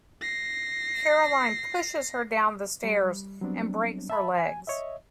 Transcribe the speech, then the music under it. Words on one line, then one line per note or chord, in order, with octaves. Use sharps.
Caroline pushes her down the stairs and breaks her legs.
A#6 C7
G3
F#3 G3 B3 C4 D4
E5 A5 B5
G#5
C#5 D#5 E5